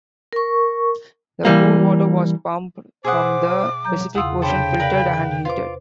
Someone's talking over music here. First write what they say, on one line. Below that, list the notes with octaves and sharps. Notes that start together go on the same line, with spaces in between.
The pool water was pumped from the Pacific Ocean, filtered and heated.
A#4 C#6
E3 G3 A#3
B2 G#4 C5 E5 F#5 D6 D#6
F#3 A#5 G6
E2 C#3 F4 F#5 D#6 E6
C3 D4 A4 C5 C#5 G5 B5
A#4 B4 D5 F5 B5
F4 B4 C5 D6